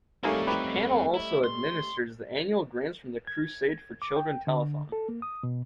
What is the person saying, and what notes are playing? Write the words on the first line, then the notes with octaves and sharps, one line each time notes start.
The panel also administers the annual grants from the Crusade for Children telethon.
G3 A3 A#3 C4 C#4 D#4 G#4 A4
D#4 G4 B4
E4
C6
G#6
D6
G5
D3
A4
A#3
D#6
B2